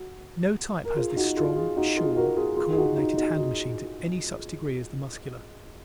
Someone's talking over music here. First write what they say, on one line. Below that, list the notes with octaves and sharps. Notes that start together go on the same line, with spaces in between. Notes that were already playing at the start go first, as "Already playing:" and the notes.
No type has this strong, sure, co-ordinated hand-machine to any such degree as the Muscular.
Already playing: F#4
A#4
F4 G#4
D#4 F#4
F4 G#4
F4 G#4
D#4 F#4
F4 G#4
F#4 A#4
F4 G#4
F4 G#4
G#4
D#4 F#4
D#4 F#4
D#4 F#4
D#4 F#4